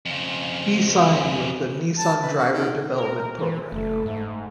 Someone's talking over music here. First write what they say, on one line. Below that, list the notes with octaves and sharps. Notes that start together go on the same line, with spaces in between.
He signed with the Nissan Driver Development Program.
F2 C#3
A5
B4
F#4
D#3
A#4
E3
F#1 A3
G#2